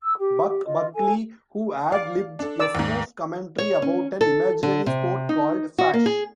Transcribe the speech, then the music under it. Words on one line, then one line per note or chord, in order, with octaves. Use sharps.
"Buck" Buckley, who ad-libbed a spoof commentary about an imaginary sport called "Fasche".
E6
G4
G4
F4 D#5
A4 G#5
D5 F5
D4 A4
D5 E6
D#2 G#2
C#5
C#4
A4
D3
C3
D#4
F#4
A#3
G#4